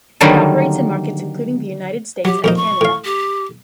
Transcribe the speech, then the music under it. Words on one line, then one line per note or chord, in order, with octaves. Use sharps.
It operates in markets including the United States, and Canada.
D3 D#3 F#3 G3 A#3 D#4
F#3 G4
F2 A#2 D#4 C5
C#6
A2 F5
G4